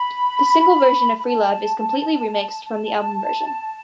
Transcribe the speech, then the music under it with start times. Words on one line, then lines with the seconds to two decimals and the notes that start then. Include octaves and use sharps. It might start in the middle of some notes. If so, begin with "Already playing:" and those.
The single version of "Freelove" is completely remixed from the album version.
Already playing: B5
1.18 B5
1.25 A5
2.65 A5